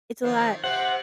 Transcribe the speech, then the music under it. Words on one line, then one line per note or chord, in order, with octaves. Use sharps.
it's a lot
D#3 F3 C4
C3 C4 F#5